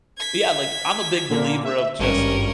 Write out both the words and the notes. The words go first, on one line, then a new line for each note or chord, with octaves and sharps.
but yeah, like, I'm a big believer of just
G#6 B6
A#2 D3 A#3
E5
G#1 G2 C#4 A#4